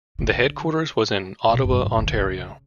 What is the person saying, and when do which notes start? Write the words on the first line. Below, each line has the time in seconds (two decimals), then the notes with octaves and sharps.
The headquarters was in Ottawa, Ontario.
0.19 D3
1.49 B2
1.65 F#2
1.81 G#2
1.98 D3
2.14 C#3